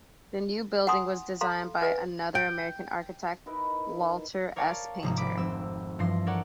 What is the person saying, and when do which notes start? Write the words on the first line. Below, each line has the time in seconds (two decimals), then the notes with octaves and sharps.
The new building was designed by another American architect, Walter S. Painter.
0.87 F#5 G#5 A#5 C6 D#6
1.41 A4 F5 A#5 C6
1.82 B4 D#5 G#5
2.35 G5
3.46 D#4 E4 A#4 B4
4.56 A#4 C#5 D5 F5 A5
5.03 G#1 C3 F3 A#5 D#6
5.17 B5 D6
5.38 F1 C4 E6
5.99 G2 E3 F3 C6 A#6
6.26 A4 A#4 C#5 D5 F#5